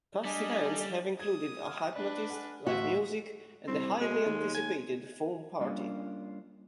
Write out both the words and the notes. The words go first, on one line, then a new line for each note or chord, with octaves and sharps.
Past events have included a hypnotist, live music, and the highly anticipated foam party.
G3 D4 D#5 G#5
D#6 G#6
F#5 F6
D4 B4 D5
F#5 G#5
A1 D2 F#4 E5 F5
C2 C4
B2 G#3
D#2
G#5
G3 A#3 C#4 D4 F4